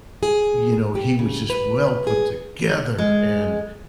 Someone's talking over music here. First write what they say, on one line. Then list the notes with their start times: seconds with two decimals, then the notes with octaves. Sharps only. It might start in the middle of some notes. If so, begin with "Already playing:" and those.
you know, he was just well put together and,
0.23 G#4
0.95 G4
1.19 C#3
1.50 B4
2.07 G#4
2.98 G#3